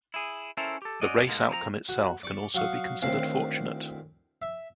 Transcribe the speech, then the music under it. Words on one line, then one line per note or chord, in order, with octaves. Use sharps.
The race outcome itself can also be considered fortunate.
E4 G#4
C#4 E4 A4 A#4 C5 E5
G4 A4
C#4 F#4 D5 D#5
G#2 B2 G#3 A#3
F3 C4 C#5 A#5
F#4
D5 C#6
F#3 F5 C#6 D#6
D2 A2 D#3 C4 F5
E5